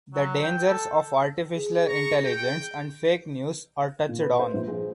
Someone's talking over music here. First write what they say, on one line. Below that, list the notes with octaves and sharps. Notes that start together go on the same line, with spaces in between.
The dangers of artificial intelligence and fake news are touched on.
F#3
G5
A4
G#4
A#5 C#6
G5
A#2
B4
C5
A#1
G#4